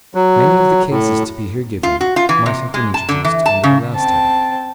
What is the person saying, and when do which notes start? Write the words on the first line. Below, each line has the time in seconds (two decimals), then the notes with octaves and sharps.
Many of the cases to be here given, might have been introduced under the last heading.
0.15 F#3
0.90 A2
1.83 F4
2.01 F#4
2.16 F4
2.29 E3
2.46 C3
2.74 G#3
2.94 A5
3.09 D3
3.25 E3
3.46 A5
3.64 C#3
3.95 C4 A5